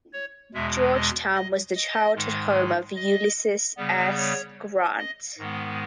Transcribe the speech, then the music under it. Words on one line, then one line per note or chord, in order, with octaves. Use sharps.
Georgetown was the childhood home of Ulysses S. Grant.
C#5
E2 B2 G#3 E5
D#5
D#5
D#5
G#2 D#3 G#3
D#5
C#3 G3 B3
C#5
D#5
G#2 D#3 G#3 B3